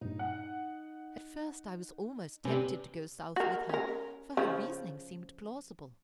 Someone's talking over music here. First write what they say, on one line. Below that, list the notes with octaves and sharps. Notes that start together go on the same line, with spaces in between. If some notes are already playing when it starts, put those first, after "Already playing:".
At first I was almost tempted to go South with her, for her reasoning seemed plausible.
G2 A#2 D#4
F#5
C3 C#4 D4 G4 B4
F#4 A#4
C#4 A#4
C#3 F3